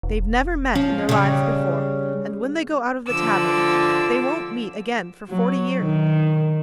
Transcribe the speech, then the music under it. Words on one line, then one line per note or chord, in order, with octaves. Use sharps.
They've never met in their lives before and, when they go out of the tavern, they won't meet again for forty years.
E1
F3 C#4
C#3 G3
D3 F3 D6 E6
F#3
D#3